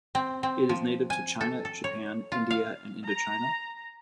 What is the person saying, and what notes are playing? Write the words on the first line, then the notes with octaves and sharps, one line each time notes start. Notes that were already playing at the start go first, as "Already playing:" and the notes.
It is native to China, Japan, India, and Indochina.
C4
C4
F3
G#5
A4
A4
C#5
F4
F5
A#5